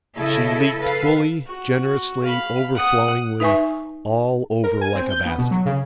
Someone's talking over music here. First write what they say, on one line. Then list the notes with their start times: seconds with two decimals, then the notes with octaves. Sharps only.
She leaked fully, generously, overflowingly, all over-- like a basket.
0.18 C#3 E4 A4 D#5
0.81 A4 B4 F5
1.47 F#4
2.24 F5 B5
2.75 F#5 D#6
3.40 D#4 B4 E5 G#5 C#6
4.64 A#4
4.81 G#5
4.95 C4
5.10 G6
5.26 B3
5.38 B2
5.51 F#3
5.66 C#3